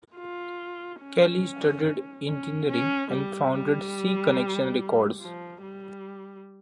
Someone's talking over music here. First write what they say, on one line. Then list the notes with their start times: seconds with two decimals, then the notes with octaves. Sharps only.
Kelly studied engineering, and founded C Connection Records.
0.16 F4
1.00 C#4
2.26 C#4
2.68 C#4
3.10 G3
3.52 G3
5.21 F3
5.63 G3